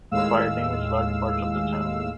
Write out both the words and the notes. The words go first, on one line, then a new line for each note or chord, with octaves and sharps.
A fire damaged large parts of the town.
D#2 A2 G#3 F5 E6